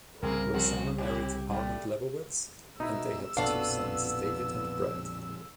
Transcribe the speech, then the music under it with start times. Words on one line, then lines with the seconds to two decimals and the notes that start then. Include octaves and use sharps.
Rozanna married Armond Lebowitz and they had two sons, David and Brad.
0.23 C2 C#3 A#3 C4 G#4 A#4
0.54 F2 C4 F#4
0.98 C3 E4 G4
1.50 G3 A3
2.80 B2 D#4 E4 E6
3.37 A#1 F2 B2 B3 D4 F#4 A4 F5